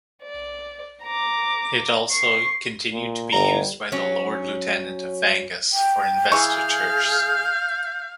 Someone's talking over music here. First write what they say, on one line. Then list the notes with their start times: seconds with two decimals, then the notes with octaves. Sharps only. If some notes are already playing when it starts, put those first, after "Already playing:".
It also continued to be used by the Lord Lieutenant of Angus for investitures.
0.23 D5
1.04 A#5 D6
2.11 C#6 C7
2.92 A#2
3.33 G1 G3 A#5
3.92 F#3 C#4
5.72 G5
6.32 E3 G#4 F5 C#6 G6